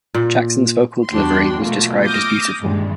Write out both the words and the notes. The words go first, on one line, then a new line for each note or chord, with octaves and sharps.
Jackson's vocal delivery was described as beautiful.
A#2
E2 G3 D4 F#4 G5 C6
B2 F#3 A3 A#3 F4
D6 D#6 F6 G6 A#6
G2 A#2 D#3 E3 G#3